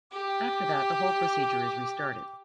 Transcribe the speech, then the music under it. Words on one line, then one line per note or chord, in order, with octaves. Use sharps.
After that, the whole procedure is restarted.
G4 D6